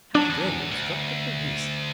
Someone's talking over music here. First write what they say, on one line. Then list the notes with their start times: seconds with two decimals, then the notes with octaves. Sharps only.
How dare you obstruct the Police?
0.15 F#3 D4
0.30 E2
0.71 D2